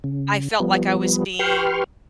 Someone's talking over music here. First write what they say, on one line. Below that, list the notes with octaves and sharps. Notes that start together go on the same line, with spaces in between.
I felt like I was being,
C#3
F3 G3 B3
G4 B4 G5 C6 C#6 F6